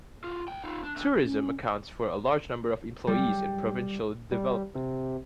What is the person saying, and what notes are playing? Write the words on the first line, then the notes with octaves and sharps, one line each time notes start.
Tourism accounts for a large number of employees and provincial development.
F4 F#4
B1 G5
D#4 F4
D4
A3 D4
C#4
G3
G3
C3